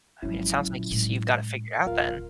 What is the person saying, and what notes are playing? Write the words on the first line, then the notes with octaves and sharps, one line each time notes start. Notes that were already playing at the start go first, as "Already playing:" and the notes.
I mean, it sounds like you see you've gotta figure out then.
G#1 F3 F#3 C#4 E4
A#2 D3
A2 G#3
D1 F4 A#4 F5